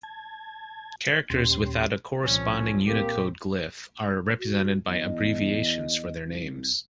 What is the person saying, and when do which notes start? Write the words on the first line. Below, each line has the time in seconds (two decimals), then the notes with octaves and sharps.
Characters without a corresponding Unicode glyph are represented by abbreviations for their names.
0.03 A5 G#6
1.30 D#2 A#2 C#4 G4 C6
2.23 C2 A#2 F3 C#4
2.87 A#2 A#3 C4 G4
4.39 F#4
4.88 E2 D#5
6.26 C2